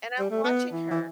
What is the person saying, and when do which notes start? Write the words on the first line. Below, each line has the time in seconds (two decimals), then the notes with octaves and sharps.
And I'm watching her
0.19 G3
0.31 A3
0.44 B3
0.72 E3
0.91 E3